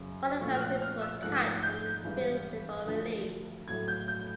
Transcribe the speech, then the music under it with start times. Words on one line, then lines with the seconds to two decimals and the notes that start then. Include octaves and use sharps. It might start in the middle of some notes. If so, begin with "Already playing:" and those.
Both of her scenes were cut from the films before release.
Already playing: F#2 C#3 F#3
0.40 A#2 F3 A3 C#6
0.55 F6
0.61 F#6
0.82 F6
1.02 E6
1.23 G#2 F3 A3 F#6
1.63 G6
2.04 G2 E3 G#3
2.86 D2 D3 F3 A3
3.68 A2 F#3 A3 G#6
3.88 G6
4.08 G6